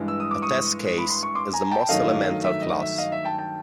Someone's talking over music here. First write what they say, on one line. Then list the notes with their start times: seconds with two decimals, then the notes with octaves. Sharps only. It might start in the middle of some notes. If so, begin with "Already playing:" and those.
A test case is the most elemental class.
Already playing: G2 E3 G#3
0.08 E6
0.20 D#6
0.31 D6
0.42 C#6 D#6
0.98 B5
1.10 C6
1.23 C#6
1.35 C6 D6
1.53 G#5 A#5
1.71 G5 A5
1.89 G2 D#3 F#3 A3 D#5 F5
2.44 E5
2.61 D#5
2.80 E5
2.98 D#5 F5
3.12 E5
3.25 G5 A5
3.38 G5 A5